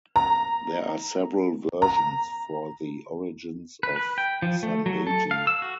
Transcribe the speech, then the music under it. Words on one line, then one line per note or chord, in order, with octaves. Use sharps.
There are several versions for the origins of sanbeiji.
A#5
A#5
B4
B4
G5
F3
A3
F#3
A4
F5
E6
F#4